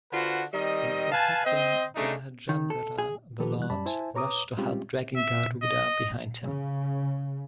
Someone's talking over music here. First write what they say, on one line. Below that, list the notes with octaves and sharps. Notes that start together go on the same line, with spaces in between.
In protecting Gajendhra the Lord rushed to help dragging Garuda behind Him.
D3 F4 F#4 B4 C5
D#3 G3 C4 D#5
B4 F5 G#5 A5
C4 C5 D#5
C#3 A3 D4 D#4
D#3
A4
G#4
D#3 F3 A#3 G4 A4 B4
B2 E3 G3 F#6
F#2 G3 C#4 D5 A5 B5
E4 C5 E5 G#5 A5
B4 C#5 A#5 D6 D#6
G3 G#3 C4 C#4 F4 G4
E5
D#5
C#3